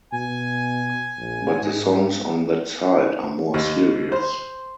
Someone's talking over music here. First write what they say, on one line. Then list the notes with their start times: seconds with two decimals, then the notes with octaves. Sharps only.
But the songs on that side are more serious.
0.13 B2 G#5
1.18 A#1
1.63 G#2
3.54 D#2
4.12 C5